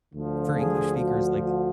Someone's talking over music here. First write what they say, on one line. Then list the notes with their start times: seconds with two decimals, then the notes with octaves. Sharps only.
for English speakers, like,
0.13 D2 D3 F3
0.57 G#4
0.99 F#4
1.42 F#4